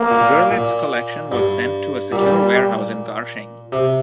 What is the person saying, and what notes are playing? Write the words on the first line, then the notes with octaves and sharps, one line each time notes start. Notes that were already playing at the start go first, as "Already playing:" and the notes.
Gurlitt's collection was sent to a secure warehouse in Garching.
Already playing: A#3
A#2
A#2
G2
A#2 G3
C3